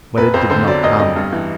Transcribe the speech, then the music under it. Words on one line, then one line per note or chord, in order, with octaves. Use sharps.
But it did not come.
F1 B4
F2 C5
D3 C5
F#3 D5
F1 D#5
F2 D#5
G2
E3